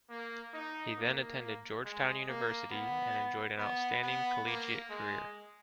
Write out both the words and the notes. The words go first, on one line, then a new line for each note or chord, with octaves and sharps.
He then attended Georgetown University and enjoyed an outstanding collegiate career.
A#3
D#4
A#3
G#3
A#3
B3
B3
B3
A#3
G#3